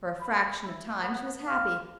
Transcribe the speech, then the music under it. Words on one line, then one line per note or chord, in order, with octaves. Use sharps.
For a fraction of time she was happy.
B5
E4
B3
F5